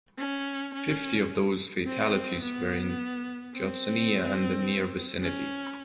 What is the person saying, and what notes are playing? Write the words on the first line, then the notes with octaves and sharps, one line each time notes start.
Fifty of those fatalities were in Judsonia and the near vicinity.
C#4
C#4
C4
B3
C4
C#4